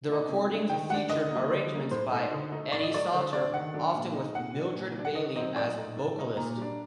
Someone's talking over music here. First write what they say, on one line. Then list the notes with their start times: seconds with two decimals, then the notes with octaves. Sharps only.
The recordings featured arrangements by Eddie Sauter, often with Mildred Bailey as vocalist.
0.09 A3 D#4
0.29 C3
0.49 G3 D4
0.69 D#3 G5
0.89 G3 D4 F#5
1.09 D3 D#5
1.31 G3 A#3
1.50 D3
1.72 G3 A#3
1.91 A2 C5
2.12 A3 D#4
2.32 D3
2.52 A3 D#4
2.72 A2 D5
2.83 D#5
2.93 F#3 A3 D5
3.13 D3 C5
3.33 A3 D4 D5
3.53 D#3 F#5
3.74 F#3 A3 D4
3.94 A#2
4.14 A3 D#4
4.34 A#2 F#5
4.55 G3 D4
4.75 A#2
4.95 G3 D4
5.05 F#5
5.15 D#3 D#5
5.36 F#3 C4 D#4 D#5
5.56 A2 D5
5.76 A3 D#4
5.97 A2
6.17 A3 D#4
6.37 A#2 A#5
6.57 G3 D4